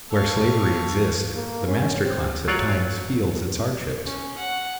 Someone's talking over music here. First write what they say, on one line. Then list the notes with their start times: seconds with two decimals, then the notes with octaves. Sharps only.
Where slavery exists the master class at times feels its hardships.
0.11 A4 F5 C#6
1.35 A#3
1.67 C#4
2.04 C4
2.48 F#3 F4 C#5 D5 F#5
4.04 C#4
4.37 F#5